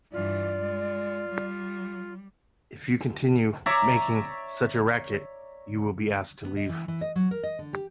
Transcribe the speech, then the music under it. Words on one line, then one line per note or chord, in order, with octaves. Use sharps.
If you continue making such a racket, you will be asked to leave.
G2 E3 F4 D5
G#3
G3
C#5 D5 E5 A#5
B3
D#5
E3
E3
D#5
F#3
A#4
D#5
D3
G4